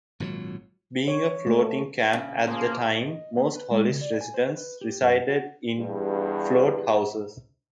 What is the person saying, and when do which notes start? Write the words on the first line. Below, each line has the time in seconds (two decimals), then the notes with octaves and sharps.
Being a floating camp at the time, most Hollis residents resided in float houses.
0.20 G#1 A#2 D#3 F#3
1.08 C#5
1.47 A3
2.13 C#3
2.47 F3 A#3 G#4
3.02 D#5
3.37 A#3
3.56 B4
3.71 G#3
3.89 C#3
4.01 D5
4.21 G#5
4.34 C5
4.55 B4
4.81 G4
5.01 F#2
5.29 F#4
5.78 E2 G2